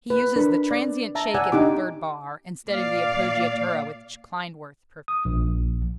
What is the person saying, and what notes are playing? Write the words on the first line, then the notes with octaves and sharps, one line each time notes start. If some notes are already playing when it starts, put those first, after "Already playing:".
He uses the transient shake in the third bar, instead of the appoggiatura which Klindworth prefers.
B4
D4 A#4 B5
D5
E5 A5 A#5
D5 F#5 G#5 E6
D4 D#4 G4 D6
A#2 D5 F5
D#6
A#1